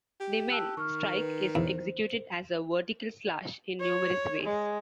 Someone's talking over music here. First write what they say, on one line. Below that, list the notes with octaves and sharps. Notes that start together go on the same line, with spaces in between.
The "men" strike is executed as a "vertical" slash in numerous ways.
G4
A5 E6 F#6
D#3 C#6 F6
B4
E2 C5
C#5
G#3